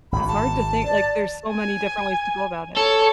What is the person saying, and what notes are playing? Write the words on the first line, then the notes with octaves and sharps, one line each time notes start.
It's hard to think, like, there's so many different ways to go about it.
G#1 G#2 B5
A5
D5
G#5
A4 C#5